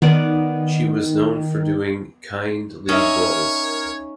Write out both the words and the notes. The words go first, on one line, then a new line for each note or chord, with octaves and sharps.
She was known for doing kind lead roles.
D#3 B3 B4 D5
C#4 D#4 A#4 C#5 E5